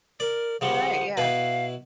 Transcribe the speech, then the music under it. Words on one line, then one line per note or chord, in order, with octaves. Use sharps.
Alright, yeah.
A#4 D5
C#3 F3 G3 F#5
B2 E4 B4 F5